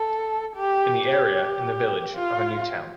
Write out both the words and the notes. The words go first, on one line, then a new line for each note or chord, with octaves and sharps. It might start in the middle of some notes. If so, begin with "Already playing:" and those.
In the area in the village of a new town.
Already playing: A4
G4
G4
F4